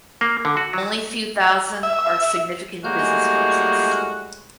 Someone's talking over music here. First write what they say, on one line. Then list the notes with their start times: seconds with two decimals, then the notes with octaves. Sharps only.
Only few thousand are significant businesspersons.
0.21 A#3
0.45 D3
0.57 F#4
0.73 F#3
1.83 E5
2.84 A2 G3 G#3 A#3 F#4 F6 G6